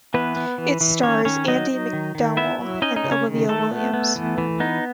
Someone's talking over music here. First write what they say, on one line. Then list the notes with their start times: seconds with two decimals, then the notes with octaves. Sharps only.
It stars Andie MacDowell and Olivia Williams.
0.14 E3 B3 B4
0.36 B3
0.58 E3
0.81 E3
1.03 D#3 C#4 C#5
1.25 D#3 C#4 C#5
1.47 F#3 D#4 D#5
1.70 F#3
1.93 D#3
2.15 D#3
2.37 B3 E4 E5
2.59 F#3
2.82 C#4 D#4 D#5
2.96 D#4 D#5
3.04 C#3
3.11 C#4 C#5
3.27 D#3
3.49 D#3 A3 A4
3.71 B3
3.94 B3
4.16 E3
4.38 E3
4.60 B3 D#4